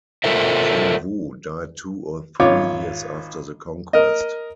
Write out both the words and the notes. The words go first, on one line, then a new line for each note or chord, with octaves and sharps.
King Wu died two or three years after the conquest.
F4 A4 A#4 C5 E5
G#1 F4 C#5 D6
A#4 D#5